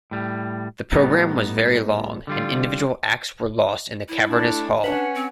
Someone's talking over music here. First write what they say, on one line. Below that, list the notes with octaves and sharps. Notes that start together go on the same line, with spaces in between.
The program was very long, and individual acts were lost in the cavernous hall.
A2 G3
A2 G3 B3 D#4
D3 G3 F4
E4
A3 D4
C#4 D4 B4 F#5
C4